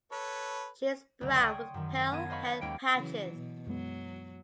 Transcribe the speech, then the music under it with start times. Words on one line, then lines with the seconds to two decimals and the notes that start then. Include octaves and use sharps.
She is brown with pale head patches.
0.12 A4 B4 C#5
1.21 F#1 D2
1.37 G5 G#5 C6 C#6 D#6
1.74 F#2 D#3
2.12 B3 A#4 A5 G#6 D#7
2.30 C5 D#5 F5 B5 C#6
2.61 D#2 G#3 C#4 G5 D7
2.96 C#3 E3 F#3
3.34 B2
3.67 F#2 F#3 G#3 B3